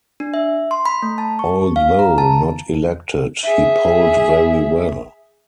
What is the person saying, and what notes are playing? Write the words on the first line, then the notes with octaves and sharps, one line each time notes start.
Although not elected, he polled very well.
D4
E5
C6
B5
A3
A5
C#6
F5
A#5
A5
G#4 E5